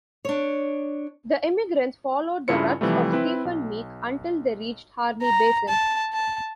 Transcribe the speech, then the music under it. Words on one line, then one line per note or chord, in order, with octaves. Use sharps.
The emigrants followed the ruts of Stephen Meek until they reached Harney Basin.
D4 C#5
G2 C#3 E4 F4 C#7
C3 E3 F3 G3 A3
C4 E4 B4
B1
A#5
A5
A5